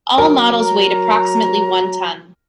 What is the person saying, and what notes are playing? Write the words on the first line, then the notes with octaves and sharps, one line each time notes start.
All models weighed approximately one tonne.
F#3 A#4
A#5